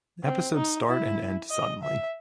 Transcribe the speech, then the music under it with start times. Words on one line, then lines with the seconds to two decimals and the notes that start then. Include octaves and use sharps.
Episodes start and end suddenly.
0.24 C4
0.55 D#4
0.87 E4
1.51 D#5
1.83 E5